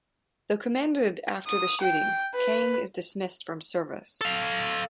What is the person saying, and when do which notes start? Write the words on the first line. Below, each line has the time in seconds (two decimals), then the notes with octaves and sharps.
Though commended after the shooting, Kang is dismissed from service.
1.48 D#6
1.81 G5
2.35 B4
4.21 A4 F5